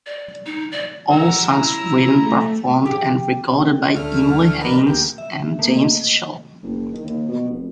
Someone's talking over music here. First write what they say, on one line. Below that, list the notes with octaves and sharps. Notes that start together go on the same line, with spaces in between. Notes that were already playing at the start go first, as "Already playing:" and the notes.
All songs written, performed and recorded by Emily Haines and James Shaw.
D5
D#4
D5
F#5 A#5 E6
E4 A#5 E6
A3
G4
D2 D3 A3 F6
D4 D#4 A#4 B4
D2 A#3 G4
E5
A3 A#3
D#5
F#1
D#3
D#2
B2
F1